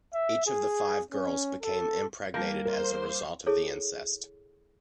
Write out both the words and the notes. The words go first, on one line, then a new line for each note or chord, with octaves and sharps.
Each of the five girls became impregnated as a result of the incest.
E5
G#4
C#4
A4
G3 A#3 A5 G6
A#4 C5 C6
E4 G#4 A4 C#5